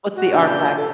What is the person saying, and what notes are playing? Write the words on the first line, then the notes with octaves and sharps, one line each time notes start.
What's the RPAC?
A#2 F#4
A#2 C#3 D4 G6
C3 A4